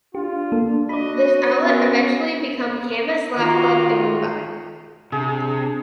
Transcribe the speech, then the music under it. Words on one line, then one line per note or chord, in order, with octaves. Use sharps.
This outlet eventually become Canvas Laugh Club in Mumbai.
D4 F4 G4
A#3 A4
F#4 D5 D#5 B5
B3 C#4 A#4
D#3 F4 F#4
C3 D4 G#4